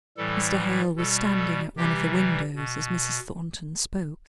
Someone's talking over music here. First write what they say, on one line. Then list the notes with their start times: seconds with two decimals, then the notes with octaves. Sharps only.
Mr. Hale was standing at one of the windows as Mrs. Thornton spoke.
0.17 A2 E3 G3 A4
0.96 B2 G3 A4
1.36 A4
1.77 C3 E3 G3 G4
2.56 B2